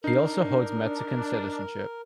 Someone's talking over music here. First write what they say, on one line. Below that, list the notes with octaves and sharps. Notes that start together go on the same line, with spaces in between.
He also holds Mexican citizenship.
D4 D#4 A#4 C7